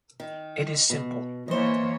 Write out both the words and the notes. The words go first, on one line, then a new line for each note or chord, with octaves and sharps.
It is simple.
D#3
B2
E3 A#3 C5 C#5 D#5